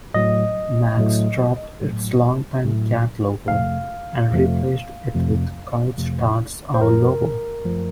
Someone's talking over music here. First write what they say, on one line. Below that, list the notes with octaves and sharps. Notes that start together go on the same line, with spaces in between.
Mac's dropped its longtime cat logo, and replaced it with Couche-Tard's owl logo.
A2 F#3 A3 D#5
A2 F#3 A3
A2 F#3 A3
A2 F#3 A3
F2 C3 F3 A3 F5
F2 C3 F3 A3
F2 C3 F3 A3
F2 C3 F3 A3
C5
F#2 F3 A3 A#4
F#2 F3 A3